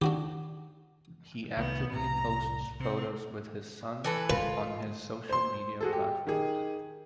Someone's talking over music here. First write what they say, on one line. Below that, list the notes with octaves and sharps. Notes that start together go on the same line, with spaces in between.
He actively posts photos with his son on his social media platforms.
D#3 D4 F#4 G4
C2 D#3 B3
C2 A2 A#5
C3 C4
E3 A4 B4
F4 B4
C5 C6
F#4 G#4 A4
G4
D#3 G4 G#4